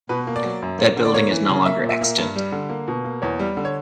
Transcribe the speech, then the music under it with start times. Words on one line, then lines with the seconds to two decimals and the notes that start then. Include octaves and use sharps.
That building is no longer extant.
0.09 B2 B4
0.27 A#3
0.36 D5
0.44 F#3
0.62 F#2
0.79 A#3
0.97 D3
1.05 D5
1.14 A#3 C#5
1.31 E3
1.49 C#3
1.66 A#3 E5
1.83 A#2
1.89 E5
2.01 A#3
2.18 G2
2.36 G3
2.52 D3
2.69 A#3
2.88 B2
3.04 A#3
3.22 E2 C#5
3.39 G3
3.57 D3
3.65 C#5